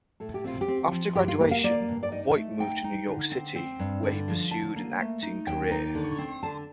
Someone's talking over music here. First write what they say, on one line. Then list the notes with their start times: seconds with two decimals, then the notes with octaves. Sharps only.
After graduation, Voight moved to New York City, where he pursued an acting career.
0.20 A2 A4
0.34 G4
0.44 C4 F4
0.61 G4
0.68 C4
0.92 F3
1.15 G2 G4
1.28 F4
1.40 A#3 G4
1.51 F5
1.64 A#3 D5
1.88 G2
2.03 D5
2.12 D#4 D#5
2.35 A3
2.60 D#4 G5
2.84 D#4
3.08 D3
3.31 C4
3.55 C4
3.79 G2
4.03 D3
4.28 F3
4.51 D3 A5
4.76 A#3
5.00 A3
5.23 D#4
5.47 D#2 G5
5.71 D#4
5.95 D3
6.18 C4
6.43 D3 A5